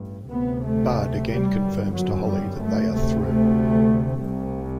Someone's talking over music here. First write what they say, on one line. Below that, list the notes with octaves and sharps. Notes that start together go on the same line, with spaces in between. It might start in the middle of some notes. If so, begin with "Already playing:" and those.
Bud again confirms to Holly that they are through.
Already playing: A1 G2
D2 C3 B3
A3
G3
G1 F#2
F#3
G3
A3
D2 C3 A3
A3
C2 C3